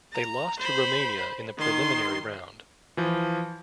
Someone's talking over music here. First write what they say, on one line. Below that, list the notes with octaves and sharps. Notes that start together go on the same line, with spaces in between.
They lost to Romania in the preliminary round.
A#5
C5 B5
D#3 C6
E3 F3